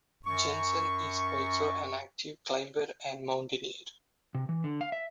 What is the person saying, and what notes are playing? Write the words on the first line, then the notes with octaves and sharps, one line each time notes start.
Jenssen is also an active climber and mountaineer.
F#2 C#6
C3
E3
D3
F5
E5